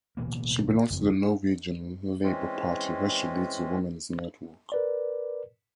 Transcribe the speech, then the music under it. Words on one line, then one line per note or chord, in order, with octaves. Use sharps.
She belongs to the Norwegian Labour Party, where she leads the women's network.
D1 B2 E3 A#3
F#1 F2
E3 G#3 C4 C#4
A#4 B4 D5